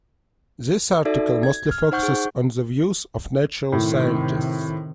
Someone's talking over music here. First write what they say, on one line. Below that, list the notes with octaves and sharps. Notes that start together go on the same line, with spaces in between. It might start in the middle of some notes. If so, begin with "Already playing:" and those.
This article mostly focuses on the views of natural scientists.
D#4 F#4 A4 D5 E5
G#6
F6
D#4 C5 F#5 C#6 G6
G#4
A2 C3 D#3